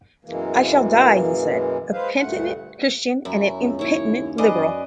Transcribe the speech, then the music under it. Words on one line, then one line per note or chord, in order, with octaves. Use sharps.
"I shall die," he said, "a penitent Christian and an impenitent Liberal".
F#2 B2 E3 G#3 A#3
G#3 G#4 B4 C5 F5
D2 G2 A#2 A3 F#5
F#2 E4
C#2
D#2 E4 C#5
G#4 B4 D5 D#5
F#2